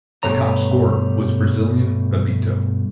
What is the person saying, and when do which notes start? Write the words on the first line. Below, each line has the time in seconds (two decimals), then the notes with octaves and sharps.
The top scorer was Brazilian Bebeto.
0.23 G2 B2 G3 A3 C#5 A#5